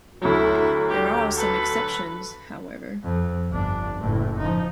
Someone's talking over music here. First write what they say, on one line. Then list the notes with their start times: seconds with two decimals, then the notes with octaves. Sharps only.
There are some exceptions, however.
0.22 D2 F#3 E4
0.89 G4
1.36 A4 B4
3.04 F2
3.51 G1 D4
3.98 F#1 A2
4.39 F3 D#4